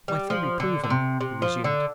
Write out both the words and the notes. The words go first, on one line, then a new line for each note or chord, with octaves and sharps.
"My theory proven," he resumed.
G3
F3
D3
D3
C3
C3
F3
D3